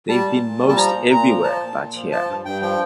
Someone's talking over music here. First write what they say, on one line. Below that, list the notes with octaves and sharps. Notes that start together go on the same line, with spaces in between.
They’ve been most everywhere but here.
G3 A5
A#2
A#2
G3
A5
F3 A#5
A#2
A#2 A#5
F3
F3 A5
A#2
A#2
F3
F3 A5
G2
G2 G5
F3 G5